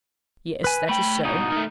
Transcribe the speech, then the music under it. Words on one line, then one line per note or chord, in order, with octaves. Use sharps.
"Yes, that is so."
B4 G#5
A3 G5 B5
G#2 B2 D#4
D#3 A3